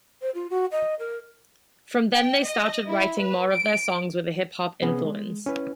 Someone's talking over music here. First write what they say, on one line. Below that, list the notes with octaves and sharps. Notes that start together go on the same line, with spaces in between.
From then they started writing more of their songs with a hip hop influence.
C5
F4
F#4
D#5
A#4
G5
D#5
E4
B4
D7
C3 B3 C#4 G#4
G#3
C#4 E4 B4